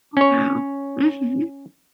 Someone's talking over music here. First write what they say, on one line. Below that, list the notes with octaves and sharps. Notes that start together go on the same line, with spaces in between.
oh, wow. Mhm.
C#4 C#5